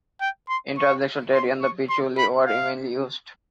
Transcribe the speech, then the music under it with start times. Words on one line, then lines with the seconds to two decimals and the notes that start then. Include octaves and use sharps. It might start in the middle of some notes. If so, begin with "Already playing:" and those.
In transactions tari and pichuli were mainly used.
0.21 G5
0.49 C6
0.78 C#6
1.34 C6
1.62 C#6
1.89 C6
2.18 B5
2.46 F5